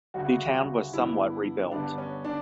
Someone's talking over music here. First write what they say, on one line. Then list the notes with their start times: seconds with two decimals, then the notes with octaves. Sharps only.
The town was somewhat rebuilt.
0.14 D2 C#3 G3 C#4 F#4
0.93 G2 D3 G3 B3 E4
1.71 G2 D3 G3 B3 D4
1.98 C#4
2.25 D4